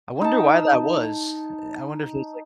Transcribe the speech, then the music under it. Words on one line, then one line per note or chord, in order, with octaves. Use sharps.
I wonder why that was. Eh, I wonder if it's like
D#4 A5